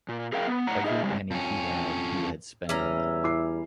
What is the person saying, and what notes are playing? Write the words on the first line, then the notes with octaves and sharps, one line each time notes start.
Every penny he had he had spent on them.
A#2
G#4 A#4 F5 G5
B3
A2 F#5 A#5
D#4 G#4 D#5 E5
C#3 G3 G#3
F2 C#4
E2 G3 C#4 E5 A#5
E4 D6 C7